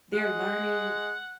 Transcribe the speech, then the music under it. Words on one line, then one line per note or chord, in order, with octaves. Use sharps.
They're learning
G#3 F#5